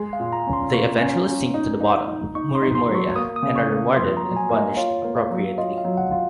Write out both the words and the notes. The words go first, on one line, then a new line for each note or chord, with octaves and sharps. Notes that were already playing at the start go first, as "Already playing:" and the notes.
They eventually sink to the bottom, Murimuria, and are rewarded and punished appropriately.
Already playing: G#3
F5
A#2
A#5
C#4
C6
A#2 C#6
C#4
C#4
D#4
D#4
D#4
D#4 C#6
C6
D#4
C6
F#3
C#6
A#3 D#6
D#6
C#3
C#6
A#3
F2 C6
A#5
F#3
G#5
A#3
D#5
F4 C#5
A#3
F5
F#3
F4 D#5
F5
F#3
F#5
F4